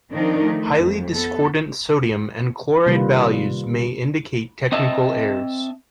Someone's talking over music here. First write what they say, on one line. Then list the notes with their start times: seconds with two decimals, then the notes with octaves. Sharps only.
Highly discordant sodium and chloride values may indicate technical errors.
0.11 D#3 F3 C4 D4 D#4 A#4
0.43 A3
0.76 F2
1.14 B3 A4
2.86 C3 D#3 G3 A#3 F4 B4
4.72 C4 D#5 E5 A5